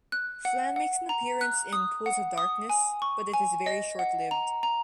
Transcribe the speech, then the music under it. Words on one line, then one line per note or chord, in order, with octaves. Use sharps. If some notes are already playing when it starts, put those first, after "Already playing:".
Phlan makes an appearance in "Pools of Darkness" but it is very short lived.
F#6
F#5
F#5
A#5
F#6
D#6
F#5
D#6
G#5
C#6
G#5
D#5
F#5
A#5
A#5